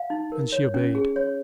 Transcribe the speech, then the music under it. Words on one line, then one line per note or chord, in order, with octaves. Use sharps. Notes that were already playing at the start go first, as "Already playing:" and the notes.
And she obeyed.
Already playing: F5
D#4
A#4
C#5
C#4
G#4
C#5